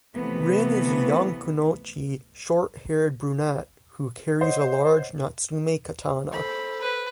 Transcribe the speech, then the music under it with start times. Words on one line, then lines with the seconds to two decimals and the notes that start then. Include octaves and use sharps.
Rin is a young kunoichi short-haired brunette who carries a large Natsume katana.
0.16 C3 E3 F3 A3 B3
4.41 C5 C#5 D#5 F#5
6.33 A4 C5 B5
6.81 B4